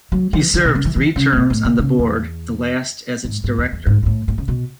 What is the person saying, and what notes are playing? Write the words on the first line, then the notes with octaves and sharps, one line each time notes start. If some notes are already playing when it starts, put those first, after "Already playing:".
He served three terms on the board, the last as its director.
F#3
E3
D3
B2
C#3
E3
E3
C#3
A2
B2
A2
C#3
C#3
E2
G#2
G#2
E2
E2
G#2
B2
A2
A2
C#3
B2